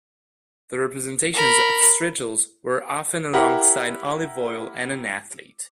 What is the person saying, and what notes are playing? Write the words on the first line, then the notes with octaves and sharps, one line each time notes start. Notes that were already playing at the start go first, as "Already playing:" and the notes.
The representations of strigils were often alongside olive oil and an athlete.
A#4 B5
E4 G4 A#4 F#5